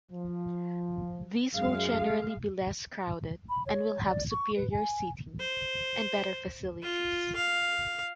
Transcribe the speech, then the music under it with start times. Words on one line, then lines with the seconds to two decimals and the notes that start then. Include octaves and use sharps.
These will generally be less crowded and will have superior seating and better facilities.
0.12 F3
1.54 F#2 G#3 F5
3.49 B5
3.66 C#5
4.04 D5
4.31 C#6
4.56 B4
4.71 G#5
5.40 C5
6.82 F4
7.36 F5